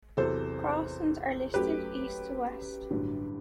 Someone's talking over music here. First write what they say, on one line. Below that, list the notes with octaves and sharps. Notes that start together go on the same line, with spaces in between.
Crossing are listed east to west.
E2 C3 F#3 A4 C5
F#2 F#3 A3 G4 B4
A1 G2 D3 F#3